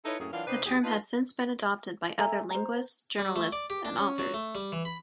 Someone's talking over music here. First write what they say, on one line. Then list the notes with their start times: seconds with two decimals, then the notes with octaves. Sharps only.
The term has since been adopted by other linguists, journalists, and authors.
0.05 D#4 E4 A4 B4 C#5
0.20 F#2 A2 A#3 C#4 G#4
0.33 E3 F#3 D4 F4 A#4
0.47 C3 D4 D#4 B4 C5
0.66 D#2 F#3 G4 G#4
0.84 D4 D#4 F4 B4
2.18 A4 E5 G#5 A#5
2.50 C5 A#5
3.19 G3
3.36 A3
3.52 D5
3.70 G4
3.85 D4
3.98 C#4
4.18 F#3
4.34 A3
4.55 G3
4.72 E3
4.85 B5